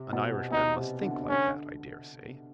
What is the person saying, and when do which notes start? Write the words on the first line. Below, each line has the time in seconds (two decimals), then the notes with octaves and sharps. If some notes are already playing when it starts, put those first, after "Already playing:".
An Irishman must think like that, I daresay.
Already playing: C3
0.13 B2
0.51 B2 D#4
0.77 C3
1.02 D3
1.28 D3 C#4